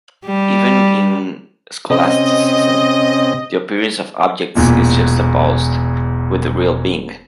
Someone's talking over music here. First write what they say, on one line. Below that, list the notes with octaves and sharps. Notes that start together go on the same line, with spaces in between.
Even in scholasticism, the appearance of objects is juxtaposed with real being.
G3
C3 C4 C#4 D#5
E1 E2 A#2